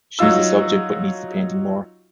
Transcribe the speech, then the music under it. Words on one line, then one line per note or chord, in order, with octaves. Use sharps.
She needs the subject but needs the painting more.
F#3 D#4 F4 E6